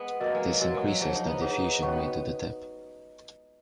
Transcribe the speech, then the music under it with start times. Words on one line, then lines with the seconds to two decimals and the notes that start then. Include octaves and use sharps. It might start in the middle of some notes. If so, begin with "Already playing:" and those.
This increases the diffusion rate to the tip.
Already playing: G#3 B3
0.20 A#3 F#4 A#4 D#5 A#5
0.35 G#3
0.47 F#3
0.61 F#3 F#4 A#4 D#5 A#5
0.74 G#3
0.88 F#3
1.01 F3 G#4 C#5 F#5
1.15 D#4
1.27 B3
1.41 D#4 G#4 C#5 F#5
1.82 C#4 F#4 C#5 F#5 C#6
1.92 B3